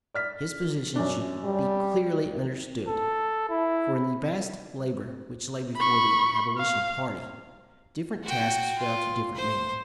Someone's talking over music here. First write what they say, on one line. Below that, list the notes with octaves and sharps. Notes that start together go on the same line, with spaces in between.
His position should be clearly understood; for in the vast labor which lay before the abolition party different tasks fell to different men.
D5 F6 B6
F#2 C#4 D4
G3
A4
E4
B5 C#6
F5
F#4 G5
F4
C5